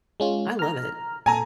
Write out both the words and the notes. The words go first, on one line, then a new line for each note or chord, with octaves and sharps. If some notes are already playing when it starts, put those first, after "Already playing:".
I love it.
G#3 C#4 F4
A#5 F6
A#2 A4 G#5 A#5